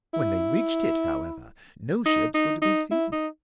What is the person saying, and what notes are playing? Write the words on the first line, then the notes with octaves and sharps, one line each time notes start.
When they reached it, however, no ships were to be seen.
E4
D#4
D#4
D#4
E4
D#4